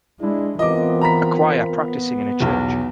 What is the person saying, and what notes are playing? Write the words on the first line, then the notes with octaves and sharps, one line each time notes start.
A choir practicing in a church.
G#3 D4 E4
E3 B3 C4 F4 A#4 D#5 D6
A#5 B5 B6
B3
B1 E2